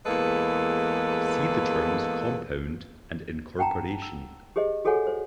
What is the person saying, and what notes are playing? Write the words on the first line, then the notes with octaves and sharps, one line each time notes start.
See the terms 'compund' and 'incorporation'.
E2 G#3 A#3 A4 B4
F#5 G5 A5 A#5
E6
G4 G#4 C5 D#5
F#4 G#4 A4 C#5 F#5 G#5
C5